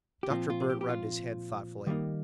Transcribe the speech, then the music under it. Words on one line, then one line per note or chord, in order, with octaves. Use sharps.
Dr. Bird rubbed his head thoughtfully.
G4
A#2 F3 C4 F4
F4
G#4
G4
G4
F4
D#3 G3 A#3 D#4